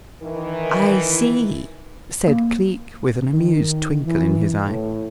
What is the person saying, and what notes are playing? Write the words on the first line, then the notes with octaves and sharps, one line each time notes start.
"I see," said Cleek, with an amused twinkle in his eye.
D#3 E3
A#3
D#3
E3
A2